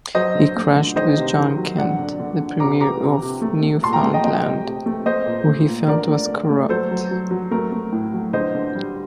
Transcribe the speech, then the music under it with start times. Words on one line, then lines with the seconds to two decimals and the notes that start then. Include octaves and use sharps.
He clashed with John Kent, the premier of Newfoundland, who he felt was corrupt.
0.15 F#3 C5 D#5
0.35 D3
0.56 A3
0.76 D3
0.96 D#3 C5 D#5
1.17 C3
1.37 D#3
1.57 F#3
1.78 D3 D5 F#5
1.99 D3
2.20 D3
2.39 D3
2.60 C3 A#5 D6
2.80 C3 A#5 D6
3.01 C3
3.22 C3
3.42 A3
3.63 A3
3.83 A#2 A5 C6
3.93 G5 A#5
4.03 A3
4.14 D#5 G5
4.24 A3 D#5 G5
4.45 C3
4.65 C3
4.86 A3
5.06 A3 C5 D#5
5.26 A#2
5.47 A3
5.68 A#2
5.87 D3 A#4 D5
6.08 A3
6.28 A3
6.50 A3
6.69 F#3 A4 C5
6.91 F#3
7.11 F#3
7.31 F#3
7.51 A3 A#4
7.72 A3
7.92 A2
8.13 F#3
8.33 D3 C5 D#5
8.55 D3
8.75 G3